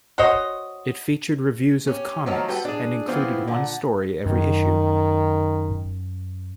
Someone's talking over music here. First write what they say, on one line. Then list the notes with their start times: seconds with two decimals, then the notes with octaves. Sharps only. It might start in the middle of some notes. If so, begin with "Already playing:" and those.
It featured reviews of comics, and included one story every issue.
0.18 F#4 C5 C#5 D#5
1.87 C#4 G4
2.26 D#3 F3 F#3 A3 A#3 C#4
2.48 G3 F#4 A4 B4 G5
2.65 D4 G#4
3.07 E3 F3 B3 C4 E4 G#4
3.47 A#2 D3 F#5
4.26 F#2 D#3